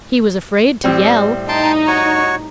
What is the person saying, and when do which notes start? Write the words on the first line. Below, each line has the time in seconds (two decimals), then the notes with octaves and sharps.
He was afraid to yell!
0.84 A2 G3 C4
1.49 D#4 G5 A5 C6
1.87 F#4 C#5 C#6